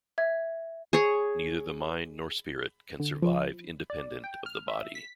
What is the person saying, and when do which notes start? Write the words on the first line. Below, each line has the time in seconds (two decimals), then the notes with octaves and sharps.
Neither the mind nor spirit can survive independent of the body.
0.18 E5 G#6
0.93 G#4 C#5
3.00 D3
3.22 F3
3.90 D5
4.24 G5
4.46 F6
4.68 E5
4.95 B6